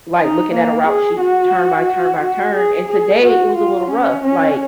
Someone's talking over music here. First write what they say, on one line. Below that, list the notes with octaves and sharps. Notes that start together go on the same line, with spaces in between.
like, looking at a route sheet turn by turn by turn. And today it was a little rough, like,
D#4
A#3
G#4
F#4
F#4
G#4
G#4
F#4
F4
C#4
C#4